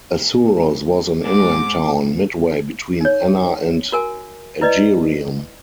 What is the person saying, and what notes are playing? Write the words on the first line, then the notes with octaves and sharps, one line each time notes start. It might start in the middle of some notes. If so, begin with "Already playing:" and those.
Assorus was an inland town, midway between Enna and Agyrium.
G#2 D6
D#4 C#5
F#4 A#4 G#5
E4 B4 D5 D#5